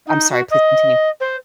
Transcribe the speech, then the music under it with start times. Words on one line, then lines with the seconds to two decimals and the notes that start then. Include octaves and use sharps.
I'm sorry, please continue.
0.07 D#4
0.30 F#4
0.50 D#5
1.20 C5